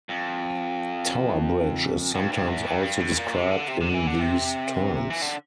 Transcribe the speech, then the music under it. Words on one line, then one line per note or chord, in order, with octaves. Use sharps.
Tower Bridge is sometimes also described in these terms.
F2
F2
G2
E2
F2
G2
A2
A#2
C3
D3
C3
C3
D3
E3
D3
C3
E3
D3